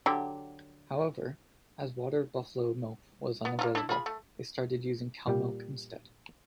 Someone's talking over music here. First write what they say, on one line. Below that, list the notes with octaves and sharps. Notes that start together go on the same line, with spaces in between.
However, as water buffallo milk was unavailable, they started using cow milk instead.
D3 F#3 G4
B3
A#3 E4 F4
D4 E4
F4 G#4 B5
A3
A#2 G3 G4